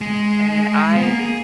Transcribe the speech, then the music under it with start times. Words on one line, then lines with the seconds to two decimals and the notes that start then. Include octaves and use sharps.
I mean, I
0.01 G#3
0.96 B3
1.03 A#3
1.19 G#4